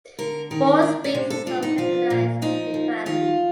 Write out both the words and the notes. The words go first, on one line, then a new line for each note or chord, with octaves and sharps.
Four species are recognized as being valid.
D3 A#4
D#3 A#4
D4
D5
C3 C5
A4
D4 F4
D#4
F3 F4
A#2
F3 D#4
F3
D#3 F4